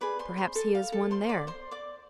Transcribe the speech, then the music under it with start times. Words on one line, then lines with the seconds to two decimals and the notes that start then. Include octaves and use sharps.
Perhaps he has won there.
0.01 G#4 B4 D5 B5
0.19 C5 C6
0.38 C5 C6
0.55 A4 A5
0.75 F5
0.92 A4 A5
1.11 C5 C6
1.29 D5 D6
1.47 C5 C6
1.71 D5 D6